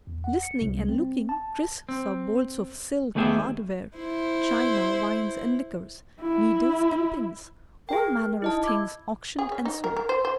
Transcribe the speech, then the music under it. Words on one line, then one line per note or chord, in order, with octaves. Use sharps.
Listening and looking, Chris saw bolts of silk, hardware, china, wines and liquors, needles and pins--all manner of things auctioned and sold.
E2
F#5
C#7
C2
C4
A5
C4
D#2 A3 B3 G4 G#4 E5
E4 C5
E4
G#4 A#4 G5
D#4 E4 D#5 A5
E4 D6 G#6
G#4
C#4
D#4
A#4
A#4
C5
C5